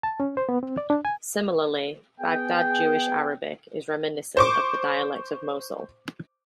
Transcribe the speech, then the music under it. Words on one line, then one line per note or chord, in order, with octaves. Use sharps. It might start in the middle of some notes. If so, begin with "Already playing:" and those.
Similarly, Baghdad Jewish Arabic is reminiscent of the dialect of Mosul.
A5
C#4
C5
B3
C4
D5
D4
G#5
B3 G#4 G5
C5 C#6 D6